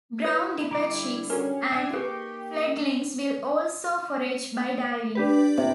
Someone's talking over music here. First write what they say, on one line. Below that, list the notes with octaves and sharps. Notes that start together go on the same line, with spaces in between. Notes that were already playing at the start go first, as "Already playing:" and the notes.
Brown dipper chicks and fledglings will also forage by diving.
E4 B4 C#5 D#6
D3 G3 A#5 D6
C#4 F#4 A4 A#4
D4 E5 G#5
A#3 D#4 G4 G#4 B4 F5 C#6
D4 G4 B4
C3